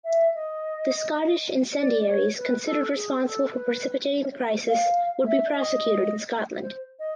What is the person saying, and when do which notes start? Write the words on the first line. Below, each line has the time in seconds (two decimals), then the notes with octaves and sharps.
The Scottish "incendiaries" considered responsible for precipitating the crisis would be prosecuted in Scotland.
0.05 E5
0.35 D#5
1.78 D5
2.08 C#5
2.37 B4
2.65 A4
2.95 G#4
3.24 A4
3.52 B4
4.68 F5
5.26 E5
5.55 D#5
6.61 C5
6.99 D#5